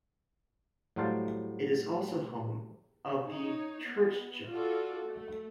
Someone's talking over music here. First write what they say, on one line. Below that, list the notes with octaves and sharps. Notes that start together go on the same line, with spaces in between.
It is also home of the churchjump.
A2 F#3 G3 C5 F5 A5
D#4 C#5
B3
F4 F#4 A4 D5
A3